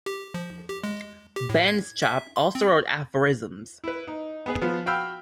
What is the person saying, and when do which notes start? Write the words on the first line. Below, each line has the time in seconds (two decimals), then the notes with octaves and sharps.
Benschop also wrote aphorisms.
0.06 G4
0.34 F3
0.69 G4
0.84 G#3
1.36 G4
1.49 A2
1.68 G#6
2.02 E5
2.36 C6
2.55 C4
3.84 E4 B4
4.07 D#4
4.46 B3 G#4 B4
4.62 F3 B3 F4
4.86 F#4 F5 G5 B5 E6 F6